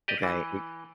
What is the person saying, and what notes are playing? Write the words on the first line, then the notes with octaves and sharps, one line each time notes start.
okay? Y
G4 D5 D#5
E3